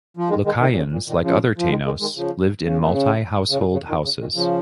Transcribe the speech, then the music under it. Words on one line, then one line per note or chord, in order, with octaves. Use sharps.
Lucayans, like other Tainos, lived in multi-household houses.
F3
D#3 G#3
D#3 G#3
A#2 D#3
A#2
C#3
A#2
A#2 D#3
C#3 F3
F3
D#3 G#3
D#3 G#3
D#3 G#3
C#3 F3
C#3
A#2
C#3
C#3
A#2
C#3
A#2 D#3
C#3
A#2 D#3
C#3 F3